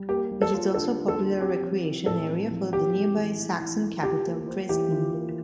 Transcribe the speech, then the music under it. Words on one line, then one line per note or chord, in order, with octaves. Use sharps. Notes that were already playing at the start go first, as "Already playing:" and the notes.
It is also a popular recreation area for the nearby Saxon capital Dresden.
Already playing: G3
A#3 G4
G3
A4
F4
D3 A4
A#3
A4
G3
C4 G4
F3
E4
A2 A4
C4
F3
E4 G4
A3
E3
E3
E4
A3
F4 G4
A#3
C5
E3 G4
F4
A#3